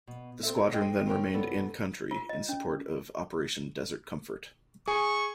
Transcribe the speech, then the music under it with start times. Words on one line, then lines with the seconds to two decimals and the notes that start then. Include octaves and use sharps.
The squadron then remained in-country, in support of Operation Desert Comfort.
0.07 B2
0.43 C4 A4 E5
0.57 F#4 C#5
0.72 G#3 G#4 A4 C5 D#5 G5
1.06 C4 C#4 A#4 G5
1.33 F#2 C3 G3 B3 A4 C#5
2.11 F4
2.29 D#5
2.49 C#4
4.88 G#4 G#5 C#6